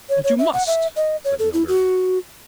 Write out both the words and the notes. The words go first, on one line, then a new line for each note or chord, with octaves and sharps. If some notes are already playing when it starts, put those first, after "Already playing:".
"But you must," said Melbury.
C#5
C#5
E5
F#5
E5
D#5
C#5
A4
E4
F#4